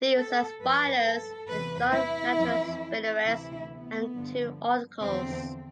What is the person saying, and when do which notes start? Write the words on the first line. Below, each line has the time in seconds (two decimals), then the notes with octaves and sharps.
These are spiders with long lateral spinnerets and two articles.
0.17 A4
0.60 G2 F3 B4
1.05 A4
1.49 E2 C3 E3 B4
1.93 E4
2.37 F2 E3
3.26 D2 C3 E3 E4
3.70 B3
4.14 G2 D3 F3
5.02 E2 D3 F3 C4